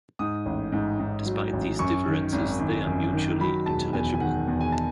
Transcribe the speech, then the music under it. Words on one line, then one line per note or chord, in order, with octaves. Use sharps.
Despite these differences, they are mutually intelligible.
G#2 D#6
A1
G#2
G#2
F#3
A1
F#2 C#6
D#3
G#1
G#1
F#2
D#3
F#3 B5
E1 A5
E2 G#5
G#5
D#3 F#5
E2
G#5
A5